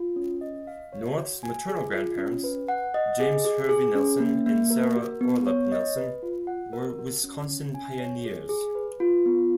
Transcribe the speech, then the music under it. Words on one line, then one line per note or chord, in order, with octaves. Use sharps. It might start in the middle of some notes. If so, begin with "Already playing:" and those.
North's maternal grandparents, James Hervey Nelson and Sarah Orelup Nelson, were Wisconsin pioneers.
Already playing: F4
C#4
D#5
F5
C#5
F#4
G#5
G#4
F4
C#4
B4
F#5
D#5
G#4
G#4
G#4
C#4
A#3
A#3
A#4
F#4
B3
C#5
D#5
B4
F4
F#5
A#4
F#4
C#4
C#4
G#5
C#5
G#4
G#4
B4
F4
B3